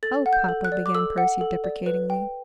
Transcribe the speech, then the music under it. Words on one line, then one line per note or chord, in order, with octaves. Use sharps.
"Oh, papa!" began Percy, deprecatingly.
A4 A6
F#5
G6
A4
F#6
D5
D6
A4 E6
F#5
A4
D5
B4
G5